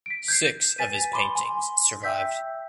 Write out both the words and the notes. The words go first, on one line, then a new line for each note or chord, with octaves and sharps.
Six of his paintings survived.
B6 D7
G6 G#6 C7
B4 G#5 A6 B6 D#7
B5 C6 D6 G7
G#5 C6
E5 G5 E6 G6 B6